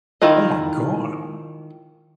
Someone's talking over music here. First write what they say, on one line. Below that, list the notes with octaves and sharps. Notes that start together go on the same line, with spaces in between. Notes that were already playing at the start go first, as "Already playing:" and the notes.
Oh my god."
D#3 E4 F4 D#5